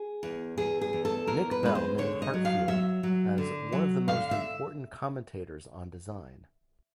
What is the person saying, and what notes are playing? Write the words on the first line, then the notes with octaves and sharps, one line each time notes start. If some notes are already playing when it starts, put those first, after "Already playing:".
Nick Bell named Heartfield as "one of the most important commentators on design".
Already playing: G#4
E2
E2 G#4
G#4
E2
A4
E2 A#4
B4
G#3 B4
C5
D3 C#5
D#5
F#3
F5
F#3 E5
F#3
D3
F#3
D3 F5
E5